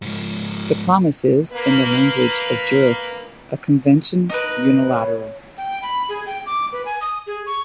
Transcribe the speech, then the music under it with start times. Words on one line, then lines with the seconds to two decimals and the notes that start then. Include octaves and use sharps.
The promise is, in the language of jurists, a convention unilateral.
0.02 G#2 F3
1.52 A#3 B4
4.30 D#4 A#4 B4
4.88 C#5
5.58 G5
5.83 B5
6.09 G#4
6.26 G5
6.46 D6
6.72 B4
6.85 G#5
7.01 D#6
7.27 G#4
7.46 C#6